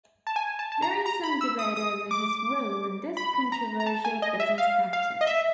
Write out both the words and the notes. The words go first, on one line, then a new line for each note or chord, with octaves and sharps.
There is some debate over his role in this controversial business practice.
A5
G#5
A5
A5
A#5
A#5
B5
E6
D#6
D#6
D6
B5
A#5
A#5
A5
G#5
D#5
E5
F5
F5
D#5
E5